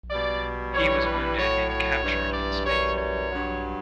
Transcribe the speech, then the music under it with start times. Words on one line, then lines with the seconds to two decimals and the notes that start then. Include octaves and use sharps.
He was wounded and captured in Spain.
0.10 B2 G3 D5
0.74 G2 E3 G3 C#5
1.06 B4
1.38 A2 F#3 C#5
1.70 C#5
2.03 G2 E3 G3
2.34 D5
2.66 F#2 E3 G3 C#5
2.98 C#5
3.30 G2 F#3